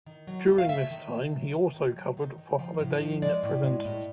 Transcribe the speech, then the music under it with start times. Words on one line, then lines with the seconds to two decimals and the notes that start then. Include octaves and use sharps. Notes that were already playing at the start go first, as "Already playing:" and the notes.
During this time he also covered for holidaying presenters.
0.06 D#3
0.27 F#3
0.48 A3
0.58 F5
0.69 A3 E5
0.90 D#3
1.12 D#3
1.33 F#3
1.54 D#3
1.74 D#3
1.96 F#3
2.17 D#3
2.38 D#3
2.59 F3
2.80 A2
3.01 F3
3.22 G#3 D5
3.43 A2
3.64 G#3
3.85 A2